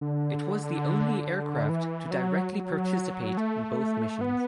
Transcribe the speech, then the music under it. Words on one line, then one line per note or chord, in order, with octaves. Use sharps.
It was the only aircraft to directly participate in both missions.
D3
E3
F#3
F#3
A3
B3